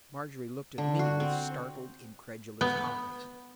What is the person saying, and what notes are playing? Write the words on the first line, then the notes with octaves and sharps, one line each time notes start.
Margery looked at me with startled, incredulous eyes.
D3
F#4
C4
B3